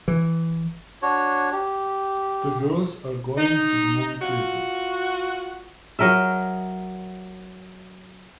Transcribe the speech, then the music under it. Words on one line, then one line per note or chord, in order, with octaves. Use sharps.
The girls are going to the movie theater.
E3
D4 F#4 C#5
G4
D#4
F4 F#4
F#3 A#4 D#5 E5